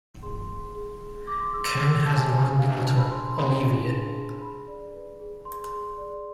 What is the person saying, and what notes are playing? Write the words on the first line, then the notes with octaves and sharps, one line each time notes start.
Ken has one daughter, Olivia.
G#4 C6
G#4
G#4
G#4
G#4 D6
C6
G#4 E6
E6
G#4 F6
E6
G#4 A5
G#5
A5
C5 G#5
D4 F5
D4 A5
B5
G#4 C6
C6
G#4 B5
G#4
D4
G#4
G#4 B5
D5
B4
G#4
B4 C6
G#4
D5